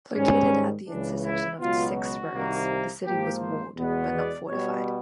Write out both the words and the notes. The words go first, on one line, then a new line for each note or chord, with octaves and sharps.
Located at the intersection of six roads, the city was walled but not fortified.
G#2 D#3 G3 C#4
C#2 C#3 E3 D4
E4
C#2 B2 F#3 B3 F4
F#4
C2 C3 D#3 G3 A#3
G#2 F3 A#3 G4
C5
E2 B2 G#3 B3
D5
B2 G3 B3 C#5